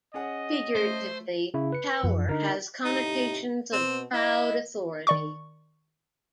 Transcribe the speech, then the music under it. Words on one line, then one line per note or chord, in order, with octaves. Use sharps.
Figuratively, "tower" has connotations of proud authority.
C#4 G#4 D#5 F#5
A3 C5
C#3 E4
B4 C#7
F#2 F3
D3 D#4 A#4
A2 C3 D#4 G4
B2 C4
E4 D#5
D#3 D5 C#6